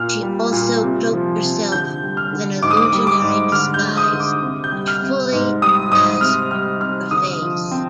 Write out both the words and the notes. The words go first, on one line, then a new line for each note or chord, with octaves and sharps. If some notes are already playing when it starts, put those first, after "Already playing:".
She also cloaked herself with an illusionary disguise which fully masked her face.
Already playing: A#2 F6
G3
A#2
C3
F3
C3
D3 G6
G3
F6
D3
G#2 D6
D#6
D6
G3
D6
G#2
D3 F6
G6
G#3
D#6
D3
D6
C3
G6
G3
F6
C3
G#2
G3 D#6
G#2 D#6
C3 F6
G3 F6
C3 F6
D3 D#6
F3
C4